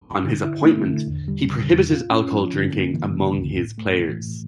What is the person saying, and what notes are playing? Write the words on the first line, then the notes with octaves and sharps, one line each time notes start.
Upon his appointment, he prohibited alcohol drinking among his players.
D3
E4
A3
D3
E2
G3
C#3
E2
F4
C#4
F3
D3
A#3
E3
C#3
C#2
A2
A3
E3
A2